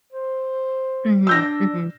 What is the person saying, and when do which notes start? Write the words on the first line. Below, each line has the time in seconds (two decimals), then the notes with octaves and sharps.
Mhm, mhm.
0.12 C5
1.27 D4 E6 G6 A#6